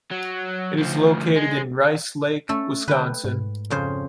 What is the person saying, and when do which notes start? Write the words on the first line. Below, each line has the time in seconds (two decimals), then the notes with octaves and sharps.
It is located in Rice Lake, Wisconsin.
0.11 F#3
0.78 D2 F3
1.36 G#3
2.49 A3 C#4 A4
2.88 D3 B4 G5
3.24 G#2
3.70 F2 C#3 C5